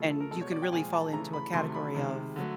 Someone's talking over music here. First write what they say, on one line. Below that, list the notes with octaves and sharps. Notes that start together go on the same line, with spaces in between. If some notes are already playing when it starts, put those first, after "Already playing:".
And you can really fall into a category of,
Already playing: C#3 F3 A3
A4
A#4
B2 G#3 A4
C#5
D5
G5
A#2 F3 G#3 G#5
A5
C#3 E3 A3 A#5
B5
C3 D#3 F#3 A3 C6
B5
C3 D#3 G#3
D3 F#3 A3